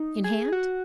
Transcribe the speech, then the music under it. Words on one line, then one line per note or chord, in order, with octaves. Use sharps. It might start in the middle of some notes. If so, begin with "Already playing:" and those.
"In hand?"
Already playing: D#4
G#4
F#4